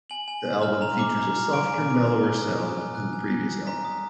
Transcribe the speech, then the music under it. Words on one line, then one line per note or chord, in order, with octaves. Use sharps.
The album features a softer, mellower sound than the previous album.
G#5 F#7
G#5
G#5
F6
A#5 F7
D6
A#5
F6
D6 D7
G#5
D6
G#5
F#6
D#6
G#5
G#5
F#6
G#5
F#6
G#5
A#5 B6
D#6